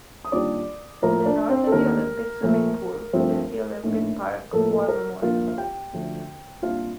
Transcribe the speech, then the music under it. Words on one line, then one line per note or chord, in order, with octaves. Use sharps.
To the north of the Olympic Swimming Pools is the Olympic Park War Memorial.
D#6
D#2 D#3 G3 D4 F4 D5 D6
A2 F3 A#3 F4 A#4 A#5
D4 D5
C4 C5
A4
D#2 D#3 A#3 D4 A#4
A#2 F3 A3
G2 F3 A3 C4 F4
A#1 A2 A3 D#4
A2 F3 A#3 A4
A4
A#4
A#2 F3 A#3 D4 F4 F5
F5
G4 G5
D2 D3 F3 A3 D4
C2 A#2 G3 D4 F4 F5